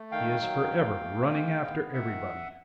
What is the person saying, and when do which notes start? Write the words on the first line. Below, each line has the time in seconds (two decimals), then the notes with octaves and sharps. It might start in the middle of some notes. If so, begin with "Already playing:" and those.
He is forever running after everybody.
Already playing: A3
0.12 D#3 F5 G5
0.42 F#3
0.72 D#2
1.03 A3
1.34 G#3
1.64 B3
1.94 D#3 E5 F#5